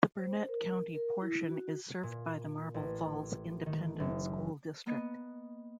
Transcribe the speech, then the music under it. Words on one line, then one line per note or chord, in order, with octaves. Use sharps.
The Burnet County portion is served by the Marble Falls Independent School District.
C5
A#4
A#4
E4
F#4
A#2
A1
D#3
F#1
A#3 B3 D#5